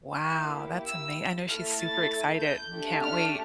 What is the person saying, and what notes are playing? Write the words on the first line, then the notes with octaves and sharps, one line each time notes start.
Wow, that's ama I know she's super excited and can't wait.
A#3 E4 G4 F5
E6
A3 E4 A4 F6
A6
G6
A3 D4 G4
F6